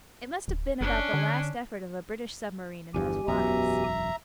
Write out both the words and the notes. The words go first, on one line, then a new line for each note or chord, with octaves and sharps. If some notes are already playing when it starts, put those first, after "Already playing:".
'It must have been about the last effort of a British submarine in those waters.
D1
F#1 C#4 D4
D3
G1 E2 G2 G4 G#5
E1 B1 F#2 B2 E5 A#5